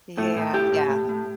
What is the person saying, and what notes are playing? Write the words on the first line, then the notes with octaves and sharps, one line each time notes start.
Yeah, yeah.
A2 A3
A2
A2 G4
A2
A2
A2